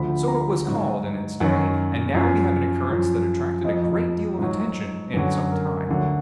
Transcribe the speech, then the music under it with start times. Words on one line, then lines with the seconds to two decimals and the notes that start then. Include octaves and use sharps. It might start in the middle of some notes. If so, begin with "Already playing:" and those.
So it was called, in its day, and now we have an occurrence that attracted a great deal of attention in its own time.
Already playing: D2 D3 F3 B5
0.28 A#5
0.66 G#2 F#3
1.40 F#2 D#3 F#3 F#5
2.15 F#2 F3
2.90 F#2 F3
3.64 F2 F3 D#5
4.39 G#2 F#3
5.14 F#2 D3 F#3 B4
5.52 A#4
5.89 D2 D3 F#3